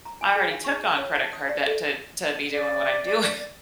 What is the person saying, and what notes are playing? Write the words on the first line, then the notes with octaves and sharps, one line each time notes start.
I already took on credit card debt to to be doing what I'm doing,
A#5
G#5
G#4
F5
C#6
C#5
A5
D#6
D5
A4
D5